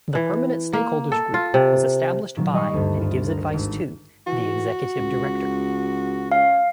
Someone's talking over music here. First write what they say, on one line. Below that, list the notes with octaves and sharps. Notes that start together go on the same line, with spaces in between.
The Permanent Stakeholders Group was established by and gives advice to the Executive Director.
E3
A#3
A4
F4
C3
A#2 D#3 F#3
G3 D#5 B5 C#6 D#6 C7
D2 G2
F4
A#4
G#1
E3 F#4
C#2
C#4 F5